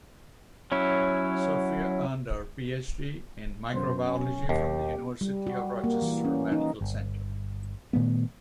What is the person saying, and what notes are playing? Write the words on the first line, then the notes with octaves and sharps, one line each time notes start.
Sofia earned her PhD in microbiology from the University of Rochester Medical Center.
F#3 C#4 E4
F#2 B2 B3 C5
C#4
D#2 G4
G3
F#4
A#3
E3
C#4
D#4
G1
A#2 D#3 A3 B3